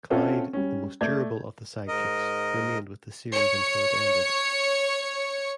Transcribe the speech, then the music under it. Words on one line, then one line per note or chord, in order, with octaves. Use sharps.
Clyde, the most durable of the sidekicks, remained with the series until it ended.
C4 C#4 F4 A4 E5 F#5
G3 C#4
A3 D5 G6 G#6
G#2 A#4 D#5
C#5 C#7